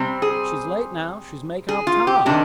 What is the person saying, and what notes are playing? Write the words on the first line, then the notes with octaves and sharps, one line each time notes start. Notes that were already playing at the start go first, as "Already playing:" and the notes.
"She's late now, she's makin' up tahm!"
Already playing: C3 G3 C4
G#4
G#4
F4
G4
C3 D#3 D4